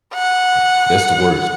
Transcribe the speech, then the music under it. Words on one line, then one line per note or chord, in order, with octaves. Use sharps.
Like, that's the worst.
F#5